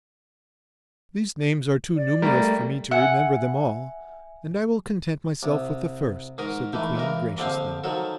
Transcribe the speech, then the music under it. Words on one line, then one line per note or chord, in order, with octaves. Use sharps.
"These names are too numerous for me to remember them all, and I will content myself with the first," said the queen, graciously.
D5
G3 A3 A#4
E5 F#5 G#5
C2
G#2 D#3 A#4 D#6
D#3 E3 A3
C#2 E3 A#4
A#1 D3 F3 C4 F5
D#3 F3 F#3 A4